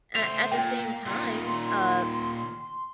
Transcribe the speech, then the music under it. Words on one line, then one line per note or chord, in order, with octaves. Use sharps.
a at the same time, uh,
A3 C5 F7
A#2 G5
A#2 D#3 C6